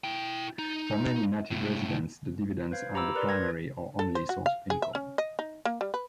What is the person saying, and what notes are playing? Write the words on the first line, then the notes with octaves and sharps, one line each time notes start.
For many native residents the dividends are the primary, or only, source of income.
E4 G5
D#4
C2 A2
B4 C5 F5 G#6
G4 A#5 B5 D6 E6
A#4 B4 D5 C6
G#6 A#6
A4
C5
F#4
F5
G#4
E5
C#4
D#5
D#4
A#3
G3
B4